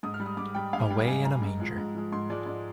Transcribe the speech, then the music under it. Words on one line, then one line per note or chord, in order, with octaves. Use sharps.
Away in a Manger.
G#2 D#6
F6
G3
D#6
G#2 D6
G3 G5
G#2 F5
G3 G5
G#2 G#5
G3 A#5
G#2
F3 G#3
G#2
F3 G#3
G#2 C6
F3 G#3 D5
G#2 D5